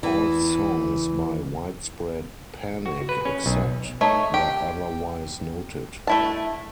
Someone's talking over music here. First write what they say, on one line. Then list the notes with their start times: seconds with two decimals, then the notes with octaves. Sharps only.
All songs by Widespread Panic except where otherwise noted.
0.03 E2 E3
2.86 F#4
3.09 B4
3.25 C#4
3.46 B1
4.01 A3 D#4 C#5
4.34 G4
6.07 A3 E4 A5